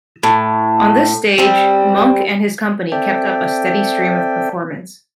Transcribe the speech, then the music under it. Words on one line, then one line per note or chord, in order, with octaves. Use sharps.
On this stage, Monck and his company kept up a steady stream of performance.
A2
G3 C4
C4 A4 D5 E5 G5